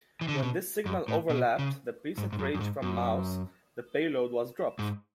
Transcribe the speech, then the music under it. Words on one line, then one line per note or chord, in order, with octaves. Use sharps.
When this signal overlapped the pre-set range from "mouse", the payload was dropped.
E3
D3
C#3
B2
F#2
A2
B2
C#3
G#2
G#2
F#2
F#2
G#2
F#2
G#2